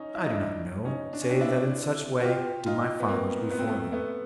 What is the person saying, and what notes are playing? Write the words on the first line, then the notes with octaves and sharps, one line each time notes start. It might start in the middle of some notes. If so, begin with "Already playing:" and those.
I do not know, save that in such way did my fathers before me.
Already playing: C#4 D#4
E4
D#4
D4 E4
C#4 D#4
D4
C#4
C4 D4
D4 E4
F#4
F4 G4
D#4 F4
B3
A#3 C4
B3
C4
A3 B3
A3 B3